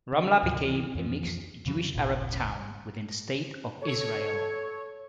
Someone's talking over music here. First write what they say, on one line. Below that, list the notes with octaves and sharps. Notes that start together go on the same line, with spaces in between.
Ramla became a mixed Jewish-Arab town within the state of Israel.
D3
D2 G#2 C3 D#3
E3
F2 E3 F3
F2 C#3 E3 F#3
D#1 G#1 A#2 C#3
A4 C#5